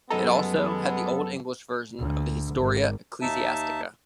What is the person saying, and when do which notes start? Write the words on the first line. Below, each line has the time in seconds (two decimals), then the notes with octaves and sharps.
It also had the Old English version of the "Historia ecclesiastica".
0.10 F#2 G3 G#3 B3 A4 D#5 A#5
1.99 D2
2.55 G#1
3.21 D#2 D#4 E5 A5